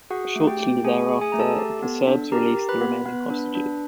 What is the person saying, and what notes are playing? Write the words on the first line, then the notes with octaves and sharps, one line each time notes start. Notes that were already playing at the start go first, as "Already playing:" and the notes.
Shortly thereafter, the Serbs released the remaining hostages.
F#4 G#4 F#5
A3
G4 G5
A3
A3 G#4 G#5
G#4
G#4 G#5
A3 A#5
A4 A5
G4
B3
D4
G4 A#4 A#5
G4
B4 B5
B3
B3
D4
D4